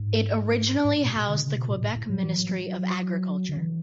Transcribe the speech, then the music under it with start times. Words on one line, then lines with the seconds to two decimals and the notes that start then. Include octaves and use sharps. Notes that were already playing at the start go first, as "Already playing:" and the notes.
It originally housed the Quebec Ministry of Agriculture.
Already playing: G#2
0.85 G#2
0.89 A2
1.03 B2
1.16 B2
1.29 D3
1.42 C#3
1.56 B2
1.69 A2
1.83 A2
1.96 A2
2.10 F#3
2.23 E3
2.36 F#3
2.49 F#3
3.49 D3
3.57 E3